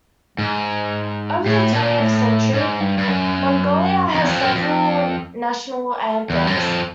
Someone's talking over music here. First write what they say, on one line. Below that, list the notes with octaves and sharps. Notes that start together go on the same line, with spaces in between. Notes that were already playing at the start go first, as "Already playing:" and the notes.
Over the twentieth century, Mongolia had several national anthems.
G#2
A2
A#2
A2
G#2
G2
G2
F#2
F2
E2
F2
F#2
F2
E2
F#2
F2